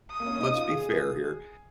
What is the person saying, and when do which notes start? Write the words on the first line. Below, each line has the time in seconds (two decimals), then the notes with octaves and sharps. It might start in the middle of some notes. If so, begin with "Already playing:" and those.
let's be fair here,
0.11 D#6
0.20 A#3
0.26 C#4
0.40 D#4
0.54 F4
0.70 G#4